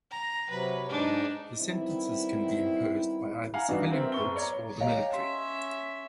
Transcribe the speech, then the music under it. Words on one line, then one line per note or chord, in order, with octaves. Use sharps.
The sentences can be imposed by either civilian courts or the military.
A#5
C3 F#3 B4
G#2 G#3 D4 D#4
D#3 G3 B3 C4 E4
F5 F#5 G#5 A#5
G2 E3 B3 D4 D#4 F#4
C4 A#4 C5 E5
F#1 B3 C#6 G7
C#5 D5 A#5
G4 C#5 D#5 F5 A#5
C#4 E5 C6